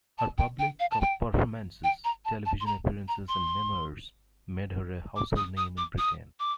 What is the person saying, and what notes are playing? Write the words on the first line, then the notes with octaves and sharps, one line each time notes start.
Her public performances, television appearances and memoirs made her a household name in Britain.
A5
G5
G5
F5
A5
G5
G5
A#5
A5
A5
C6
A#5
A#5
C6
D6
D#6
D#6
D6
D#6
D6